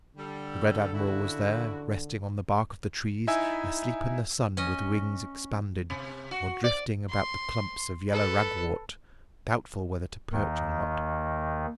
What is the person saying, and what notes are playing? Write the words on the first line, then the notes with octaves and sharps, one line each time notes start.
The red admiral was there, resting on the bark of the trees, asleep in the sun with wings expanded, or drifting about the clumps of yellow ragwort, doubtful whether to perch or not.
D3 G3 A4
C#3 E4 F#4
D#4 E4 E5 G#5 E6
C#4 D#5
C3
F#4
D5
C6
A4 B4
D#2 D#3